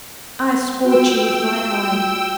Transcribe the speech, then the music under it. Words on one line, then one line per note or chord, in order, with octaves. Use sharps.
I scorch you with my eye!
F4 F#4 G5 E6